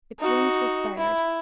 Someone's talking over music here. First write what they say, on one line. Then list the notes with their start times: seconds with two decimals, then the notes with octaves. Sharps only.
Its wings were spared.
0.19 D#4 F#4
0.97 E4